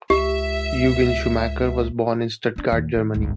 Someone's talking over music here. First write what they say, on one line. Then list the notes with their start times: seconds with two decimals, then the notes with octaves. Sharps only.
Eugen Schuhmacher was born in Stuttgart, Germany.
0.10 C#2 G4 E5
2.56 B3 D4
2.72 D#2
2.96 D#3
3.14 G1 C#2